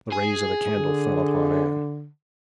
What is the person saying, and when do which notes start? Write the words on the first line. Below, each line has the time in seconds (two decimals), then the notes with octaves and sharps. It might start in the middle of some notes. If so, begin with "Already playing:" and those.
The rays of the candle fell upon Anne.
0.13 G#4
0.72 D3